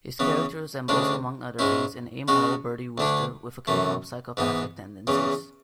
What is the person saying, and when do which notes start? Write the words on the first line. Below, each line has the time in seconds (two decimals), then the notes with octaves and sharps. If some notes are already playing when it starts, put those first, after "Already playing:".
His character resembles, among other things, an amoral Bertie Wooster with occasional psychopathic tendencies.
0.19 C#3 E3 B3
0.88 D2 C#3 G#3 D4
1.59 G#2 G#3 C#4 E4
2.28 C#3 G#3 C#4 F#4
2.98 D2 D3 A3 D4
3.67 F#2 E3 A3
4.37 G#2 E3 B3
5.07 E2 C#3 E3